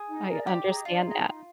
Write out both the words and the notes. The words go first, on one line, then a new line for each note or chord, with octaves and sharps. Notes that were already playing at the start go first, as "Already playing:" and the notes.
I understand that.
Already playing: G#4
D#4
A#4 D5
D4 G4
G#4 D#5 A#5
D4 F4
G#4 D#5 A#5
D#4